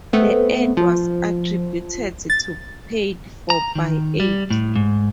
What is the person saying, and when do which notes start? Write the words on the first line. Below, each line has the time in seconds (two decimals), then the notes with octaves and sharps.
The ad was attributed to paid for by Ald.
0.13 A3 B3 C4
0.77 F3
2.30 A6
3.50 A#5
3.75 D#3
4.20 G3
4.50 A2
4.76 G#2